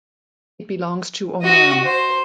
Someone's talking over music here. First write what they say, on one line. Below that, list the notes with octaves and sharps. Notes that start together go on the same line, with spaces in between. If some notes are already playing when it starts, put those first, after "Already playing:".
It belongs to Oman.
F#4 D#5
C5